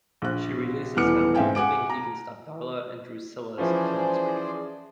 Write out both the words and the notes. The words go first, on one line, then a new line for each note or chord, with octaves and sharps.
She releases him, hoping he can stop Darla and Drusilla's killing spree.
A#1 F#6
D#1 E3 B3 D6 F6 C#7
G#2 C4 E5 F5 G5 G#5
F#5 G#5 D6 D7
A#5
E3 F3 C#4 G#4 C5 D5